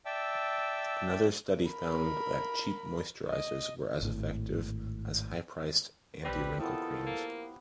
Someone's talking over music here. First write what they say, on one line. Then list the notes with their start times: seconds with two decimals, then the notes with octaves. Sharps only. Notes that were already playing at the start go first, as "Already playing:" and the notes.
Another study found that cheap moisturisers were as effective as high-priced anti-wrinkle creams.
0.05 D5 E5 G5 A5 E6
1.67 A#4 B5
3.29 D#5
4.01 G#1 A2
6.24 A#1 G3 C4 G4 B4 D6 A#6
6.60 D#3 F3 B3 E4 A4
7.07 A#3